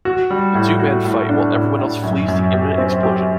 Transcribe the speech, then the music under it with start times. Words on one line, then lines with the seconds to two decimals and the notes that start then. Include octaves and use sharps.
The two men fight while everyone else flees the imminent explosion.
0.05 F#4
0.30 G3
0.55 A2
0.79 F#4
1.05 A2
1.29 D4
1.53 A2
1.79 A2
2.04 F#2
2.28 F#2
2.53 G4
2.78 C4
3.03 G4